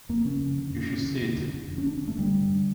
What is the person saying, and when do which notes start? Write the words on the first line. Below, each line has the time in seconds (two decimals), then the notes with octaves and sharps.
You should see it.
0.09 F2 A#3
0.25 C#3 C#4
0.41 F2
0.58 D3
0.74 F2
0.90 D3 C#4
1.06 F2
1.22 D3
1.38 F2
1.54 D3
1.70 F2
1.78 C#4
1.86 D3 D4
1.97 C#4
2.03 G2 A3
2.19 D3 G3
2.35 G2
2.51 D3